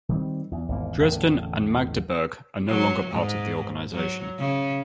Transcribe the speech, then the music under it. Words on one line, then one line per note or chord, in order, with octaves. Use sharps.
Dresden and Magdeburg are no longer part of the organization.
D#3 G3 C4
E2
G#1 E2 A#3
A1 E2 D3
F#3
G#2
F#3
C#3